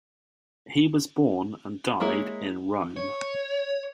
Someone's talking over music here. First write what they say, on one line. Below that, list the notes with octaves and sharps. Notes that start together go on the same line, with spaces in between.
He was born and died in Rome.
G#3 A#3 E4 G#4 C#5
C#5